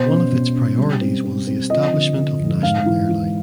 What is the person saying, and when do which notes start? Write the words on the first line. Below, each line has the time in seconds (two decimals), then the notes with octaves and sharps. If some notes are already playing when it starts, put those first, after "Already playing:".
One of its priorities was the establishment of national airline.
Already playing: B2 C5
0.08 C#4
0.32 B2
0.55 C#4
0.78 G3
1.01 C4
1.24 C4
1.47 C4
1.70 F3 D#5
1.93 D3
2.16 D3
2.39 F2
2.62 G#2 F5
2.86 E3
3.09 E3